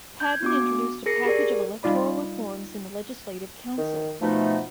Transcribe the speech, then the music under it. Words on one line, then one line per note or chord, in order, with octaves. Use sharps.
Patten introduced a package of electoral reforms in the Legislative Council.
G6 G#6
B3 D4 F#4 D6
G#4 A#4 A#6 C7 C#7
G4 G#4 A#4 D5
G3 D#4 F4 D5 B5
D#3
B2 F3 A3 D#4